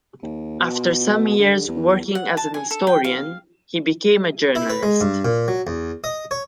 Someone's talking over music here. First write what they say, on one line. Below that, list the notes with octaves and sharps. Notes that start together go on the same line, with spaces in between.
After some years working as a historian he became a journalist.
D#2
B2
D3
E2
F#5
A5
G#5
A4
G5
F5
E4
B4
G#3
G2
A#2
F#3
E2
D#5
C#5